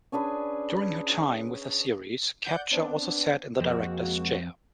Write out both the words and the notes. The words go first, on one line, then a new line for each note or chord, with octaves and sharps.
During her time with the series, Kapture also sat in the director's chair.
C#4 D4 G#4 B4
D5 F#5 G6
B3 C4 D4
F2 G#3 A#3 C4 F#4